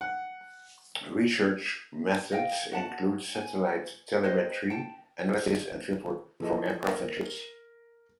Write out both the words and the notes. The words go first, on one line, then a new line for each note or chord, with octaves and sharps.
Research methods include satellite telemetry analysis and fieldwork from aircraft and ships.
F#5
D#5 F5 G5
F#4 F#5 A5
G#5
G4 B4 C5 D#5
G5 A5
E3 F3 G#4 A4 D#5
A#4